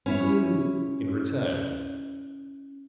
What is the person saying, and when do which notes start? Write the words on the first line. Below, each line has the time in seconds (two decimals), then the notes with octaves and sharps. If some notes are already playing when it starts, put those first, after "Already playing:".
Halloo!' in return.
0.06 C#4 E4 C#5